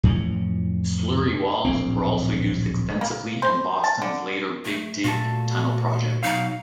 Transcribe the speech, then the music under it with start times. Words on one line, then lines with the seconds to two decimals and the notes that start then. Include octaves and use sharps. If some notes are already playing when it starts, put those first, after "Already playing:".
Slurry walls were also used extensively in Boston's later Big Dig tunnel project.
0.03 F2 A2 E3 C#4
1.65 D1 A#1 A#3 C4
3.01 A#3
3.42 C5
3.84 A5
4.02 D3
4.65 A3
5.04 A#2 A3 F#4 A5
6.23 B2 F#3 D#4 F5